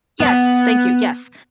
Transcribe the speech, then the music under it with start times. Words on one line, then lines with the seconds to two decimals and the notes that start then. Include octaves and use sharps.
Yes, thank you, yes,
0.20 B3